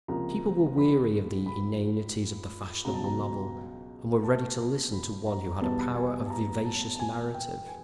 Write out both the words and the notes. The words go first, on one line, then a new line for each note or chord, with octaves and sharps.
People were weary of the inanities of the fashionable novel, and were ready to listen to one who had a power of vivacious narrative.
C#2 C3 F3 A#3 A#5
B5
B5
C#2 B2 F#3 A#5
A5
A#5
A5
A5
B5
A#5
E2 B2 G3 B3 A5
G#5
A5
A#5
A5
A5
G#5
G5
G#5